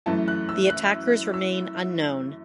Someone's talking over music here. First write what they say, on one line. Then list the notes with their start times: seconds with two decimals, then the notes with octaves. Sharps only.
The attackers remain unknown.
0.06 F#2 E3 A3 A5
0.28 F#6
0.49 E6
0.70 F#6
1.34 E6